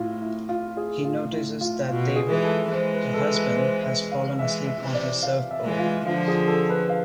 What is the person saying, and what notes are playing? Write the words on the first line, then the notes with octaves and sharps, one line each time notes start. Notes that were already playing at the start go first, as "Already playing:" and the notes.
He notices that David, her husband, has fallen asleep on his surfboard.
Already playing: A2 E4 F4
E4
F4
G#4
A2 F4
E4
F4
B2 F4
G#4
E3 G#3
A4
E3 G#3 C5
B4
A4
B4
C5
E5
F5
E3 G#3 E5
E5
C3 E3
D5
F5
E5
E3 G#3
F4
D3 F3 F4
G#4
A4
B4
F5